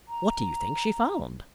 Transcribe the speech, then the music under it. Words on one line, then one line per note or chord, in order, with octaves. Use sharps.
"What do you think she found?"
A#5